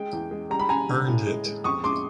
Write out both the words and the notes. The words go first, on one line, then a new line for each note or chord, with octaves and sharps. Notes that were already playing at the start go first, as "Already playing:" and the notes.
Earned it!
Already playing: G#3 G5
E2
G#3
G3 A#5
B5
G3 G#5 A#5
D3
A2
G#3
G#3
F2 C#6 D#6
G#3 C6 D6